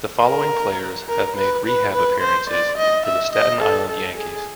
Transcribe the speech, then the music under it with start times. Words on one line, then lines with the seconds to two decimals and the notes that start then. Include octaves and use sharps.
The Following players have made rehab appearances for the Staten Island Yankees.
0.25 A#4
1.09 A#4
1.37 B4
1.65 B4
1.93 B4
2.21 C5
2.50 D5
2.78 D#5
3.06 E5
3.33 D#5
3.62 A4
3.89 A4
4.18 G#4